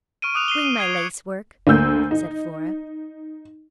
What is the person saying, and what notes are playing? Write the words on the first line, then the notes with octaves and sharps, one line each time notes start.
"Bring my lace-work," said Flora.
C#6 F6 D7 D#7
D6 D#6 F#6 F7
C7 D#7 G7
D#7
D#6 G#6 C7 F7
C#7
D2 A#3 E6 G6
D#4